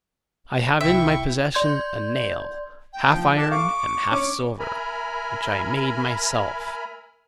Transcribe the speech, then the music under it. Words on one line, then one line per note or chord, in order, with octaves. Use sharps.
I have in my possession a nail, half iron and half silver, which I made myself.
C2 E4 E5 G5 C#6
D5 C6 G6 G#6
G5
F3
D4 A4 A5
F5 C#6 D6
C#4 D6
A#4 E5 G#5 A#5 B5